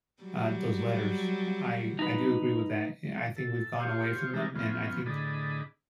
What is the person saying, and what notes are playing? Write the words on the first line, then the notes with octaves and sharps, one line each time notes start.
uh, those letters, I I do agree with that yeah I think we've gone away from them and I think
F#3 G3
D#4 B4
A4
F4 G4 C5 C#5
E3 G3 G#3 A#3 D4 D#4
F2 B3 C#4 F4
A2 D3 D4 G#4 D#5 B5